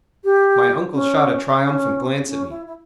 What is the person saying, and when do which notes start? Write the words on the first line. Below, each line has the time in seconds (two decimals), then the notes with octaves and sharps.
My uncle shot a triumphant glance at me.
0.24 G4
0.92 C#4
1.59 C#4
2.26 C#4
2.49 E4
2.66 E4